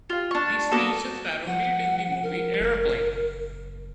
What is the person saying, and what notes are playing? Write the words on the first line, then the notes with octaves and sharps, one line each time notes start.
The speech is parodied in the movie Airplane!
F4 F5
D4 C#6
A#3 B3 F#4 A4
F3 F#5
A#4
F#1